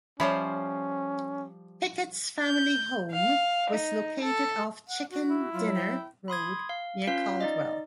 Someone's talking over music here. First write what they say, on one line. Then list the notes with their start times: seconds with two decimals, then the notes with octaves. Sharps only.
Pickett's family home was located off Chicken Dinner Road, near Caldwell.
0.20 F3 G3 C#4 C5 C#5 E5 B5
2.41 G6
3.12 F5
3.69 D#4
4.20 A4
4.88 F#5
5.11 F#4
5.29 E4
5.53 F#3 F4
5.74 G5
6.28 B5 C6 D#6 G#6
6.69 F5
7.07 C#4 F4 B4 F5 B6
7.41 D#4 D5 D#5